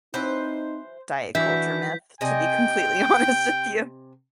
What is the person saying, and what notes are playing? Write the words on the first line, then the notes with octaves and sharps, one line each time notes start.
diet-culture myth, to be completely honest with you.
E3 F#3 C4 D#4 B4 C5
E3 D4 F#4 E5 G6 A#6 B6
C3 D#5 G5 G#5